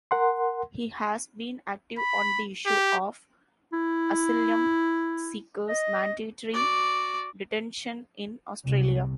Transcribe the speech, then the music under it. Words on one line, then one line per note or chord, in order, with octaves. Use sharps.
He has been active on the issue of asylum seekers' mandatory detention in Australia.
A#4 F#5 C6
B5
G4
E4
D#5
F#4 D5
C2